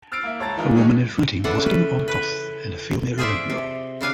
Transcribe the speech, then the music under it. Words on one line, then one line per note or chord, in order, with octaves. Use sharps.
A woman is writing while sitting on cloth in a field near a windmill.
E6 F6 A6 C7 D7
A#3 E5
C#2 C#5 A5 A#5 A6
E3 G#3 D#4 F4 A#4
D#3 F#3 G#3 A3 C#4
C#3 E3 D4 A4 F#5
C#4 B4
B4
F4 G#4 C5 D5 E5
C3
C#3 D4 F5 G#5